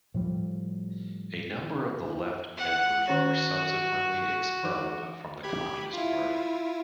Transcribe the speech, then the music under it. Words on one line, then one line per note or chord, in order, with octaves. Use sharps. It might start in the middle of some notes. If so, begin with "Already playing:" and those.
A number of the Left members were subsequently expelled from the Communist Party.
A2 F3 G3
F#5
D#3 C#4 F#4 C#5
E3 D#4 D6
G4 B5 G#6
E4 F4